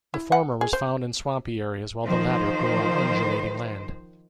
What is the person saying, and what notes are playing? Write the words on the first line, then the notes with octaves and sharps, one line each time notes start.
The former was found in swampy areas, while the latter grew on undulating land.
E4
F#5
G#4
C5
D#3 F3 C5